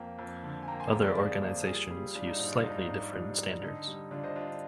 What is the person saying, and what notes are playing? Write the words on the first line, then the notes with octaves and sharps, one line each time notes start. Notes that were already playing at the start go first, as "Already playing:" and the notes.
Other organizations use slightly different standards.
Already playing: F2 A#3 G5
F2
D3
G#5
A#3 G5 A#5
G#5 C6
F2 G5 A#5
A#4 D5
F3 G#4 C5
A#3
G3 F4 G#4
G3
G3 D4 F4
D#4
G#2 D#4
D4 F4
G#2 D#4
G#2
G3 D4 F4
D4
D3 D#4
G3
D3 D4 F4
C5 D#5
D4 F4
D4